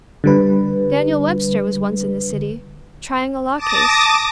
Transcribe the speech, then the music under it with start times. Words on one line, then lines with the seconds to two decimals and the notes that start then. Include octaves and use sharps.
Daniel Webster was once in the city, trying a law case.
0.24 D3 G3 B4
3.57 A5 D6 D#6 A6 A#6